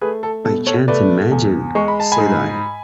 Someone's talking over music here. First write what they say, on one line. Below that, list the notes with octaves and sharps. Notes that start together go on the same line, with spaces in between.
"I can't imagine," said I.
A3 G#4 B4
A4
B2 A4
A4 C#5
A3 B4 D5
E2
G#3 C#6
B5
A5
G#5 B5
G#2